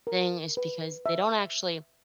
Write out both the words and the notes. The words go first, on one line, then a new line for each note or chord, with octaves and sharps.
thing is because they don't actually
A#4
B4
E5